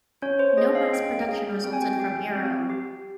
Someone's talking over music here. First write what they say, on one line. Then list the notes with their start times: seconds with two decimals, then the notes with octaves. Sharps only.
No mass production resulted from Aero.
0.22 C#4 C#5
0.39 C5
0.57 G#4 D#5
0.75 F5
0.93 C#4 G5
1.29 G#4
1.64 C4 G5
1.73 G#5
1.82 G5
2.00 G4
2.35 C4
2.70 G4